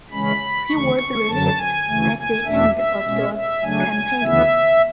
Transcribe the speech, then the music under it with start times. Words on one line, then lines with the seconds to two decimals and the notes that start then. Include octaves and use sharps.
He was released at the end of the campaign.
0.11 C#3 E3 G#3 C#4 B5
0.69 D2 C#3 E3 C#6
1.28 F#2 D3 F#3 A5
1.58 G#5
1.87 D2 C#3 E3 A3
2.16 G#5
2.45 E2 B2 A3 D4 E5
2.74 E5
3.03 B2 G#3 C#4
3.33 E5
3.62 C#3 F#3 A3 D4 G#5
4.21 D2 C#3 E3 B3 E5